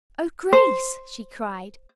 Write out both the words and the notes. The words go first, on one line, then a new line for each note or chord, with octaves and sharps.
"Oh, Grace," she cried.
C5